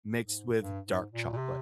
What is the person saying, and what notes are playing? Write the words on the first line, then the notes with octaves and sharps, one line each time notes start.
mixed with dark chocolate.
G#2
G2
G#2
A#2
A#2
C3